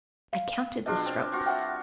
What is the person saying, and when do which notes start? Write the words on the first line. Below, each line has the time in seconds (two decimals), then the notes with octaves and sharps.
"I counted the strokes."
0.33 F5
0.86 B2 D4 F4 G#4 D#5
1.06 C4
1.32 G3 F4 F#4
1.46 E5 F#5 G5